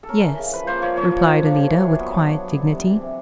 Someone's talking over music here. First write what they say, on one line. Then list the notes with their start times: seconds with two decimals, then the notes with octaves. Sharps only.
"Yes," replied Alida with quiet dignity.
0.03 A4
0.09 C#4 A#4
0.24 E3
0.39 C#3
0.52 F3 B4
0.67 A#3 C5
0.82 F3 C#5
0.96 F3 C#5
1.11 A#3
1.27 F3
1.41 D4
1.56 G3
1.70 E3
1.84 F#3
2.00 B3
2.14 F#3
2.28 D4
2.44 F#3
2.58 D3
2.72 C3
2.86 E3
3.01 C3